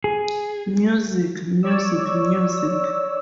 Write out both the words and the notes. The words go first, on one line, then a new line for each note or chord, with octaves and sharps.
Music, Music, Music.
G#4
C#5 D5 E6